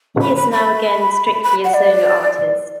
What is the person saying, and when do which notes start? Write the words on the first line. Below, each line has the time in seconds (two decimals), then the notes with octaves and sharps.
He is now again strictly a solo artist.
0.21 B5
0.36 B5
0.52 B5
1.44 B5
1.65 F#5
1.74 D5